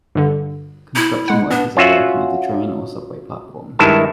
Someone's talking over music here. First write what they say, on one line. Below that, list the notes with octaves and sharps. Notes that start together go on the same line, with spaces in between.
Construction workers are working at a train or subway platform.
G2 D3
E4
G#3 F#5
B3 D4
C#4 F4 F#4 E5 F#5
G2 D#3 G#3 E4 E5 A5